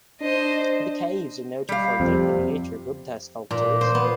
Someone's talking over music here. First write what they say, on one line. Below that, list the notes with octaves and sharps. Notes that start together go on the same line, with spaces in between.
The caves are noted for their miniature Buddha sculptures.
D4 C5 D#5
G3 F5
F2 C3
A#2
C5
B3